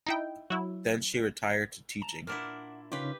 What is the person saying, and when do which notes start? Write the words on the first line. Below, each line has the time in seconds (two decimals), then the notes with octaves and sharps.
Then she retired to teaching.
0.06 D#4 E4 G5
0.50 F#3 E4
2.01 A5 A#5
2.27 A#2 D4 E4 A#4 F#5
2.92 C#3 C#4 D#4 F4 G4 B4 F5